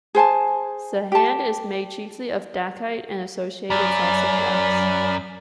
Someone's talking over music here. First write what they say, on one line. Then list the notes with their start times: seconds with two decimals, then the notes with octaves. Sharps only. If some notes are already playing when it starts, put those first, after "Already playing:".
Sahand is made chiefly of dacite and associated felsic rocks.
0.15 G#4 C5 G#5 A5
1.12 G4 A5
3.70 F#2 D5 B5